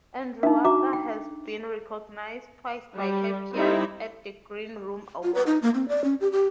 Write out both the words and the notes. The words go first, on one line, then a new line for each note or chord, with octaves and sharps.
Andrewartha has been recognised twice by her peers at the Green Room Awards.
D4 D#4 E5
F#4 E5 A#5 D6
G5
G3
G3 C4 D#4 E4
F4
B4
D#4
A#3
C4
D5
C#4
G4
G4